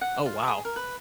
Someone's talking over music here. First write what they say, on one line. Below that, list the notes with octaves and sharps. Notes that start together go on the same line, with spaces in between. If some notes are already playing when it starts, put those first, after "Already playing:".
Oh, wow.
F#5
F4
G#4
A#4
B4